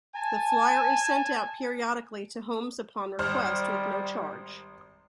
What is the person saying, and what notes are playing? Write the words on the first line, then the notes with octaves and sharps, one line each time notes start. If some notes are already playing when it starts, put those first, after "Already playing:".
The flyer is sent out periodically to homes upon request with no charge.
G#5 A5
G#1 G3 C5 F6